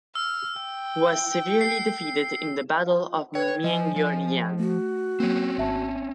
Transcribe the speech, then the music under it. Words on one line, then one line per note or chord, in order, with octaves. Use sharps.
He was severely defeated in the Battle of Myeongryang.
E6 F6
G5
C7
B4 C#5 G5 G#6
F3 D#5 G#5
F3
A3 F#4
F#3 A#3 C4 C#4
G#1 E5 A5